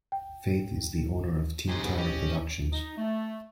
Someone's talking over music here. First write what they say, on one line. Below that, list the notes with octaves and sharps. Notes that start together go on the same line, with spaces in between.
Faith is the owner of Team Tyler Productions.
G5
C#3 D#4 G4 G#5 C6
B3 G#4
C#4 G4 D#5 G5
D#4
A3